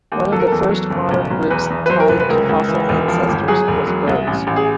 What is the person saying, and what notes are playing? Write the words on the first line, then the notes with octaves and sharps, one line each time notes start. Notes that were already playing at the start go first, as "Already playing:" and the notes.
One of the first modern groups tied to fossil ancestors was birds.
D#2
F#3 A4
A#4
E2 A4
F#3
F#1
B1
B1
E2 B4
E2
B4
F#3 C5
A#4
F1 B4
B4
C#2 A#4
C#2
E3
E1
F3
G1
F#3 G#4
E1
F#3
C2
A1
A1
G#4